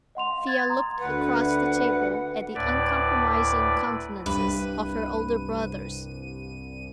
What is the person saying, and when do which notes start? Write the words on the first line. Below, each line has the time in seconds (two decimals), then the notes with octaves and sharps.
Thea looked across the table at the uncompromising countenances of her older brothers.
0.15 D#5 F#5 C6 F7
0.31 F5
0.47 C6 G#6 A6
0.70 A#5 C6 D#6
0.99 D2 B4 F#5
2.55 D2 A2 E4 B4 D5
4.26 C2 G2 B4 D#7